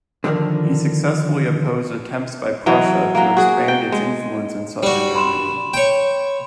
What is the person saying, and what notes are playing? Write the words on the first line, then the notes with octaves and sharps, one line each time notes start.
He successfully opposed attempts by Prussia to expand its influence in southern Germany.
D3 D#3 F3 D4 A#4
E3 F#3
F#3 A#3
F#4 G#4
G5
G#3
G3 F#4
B5 C6 E7
C#5 G5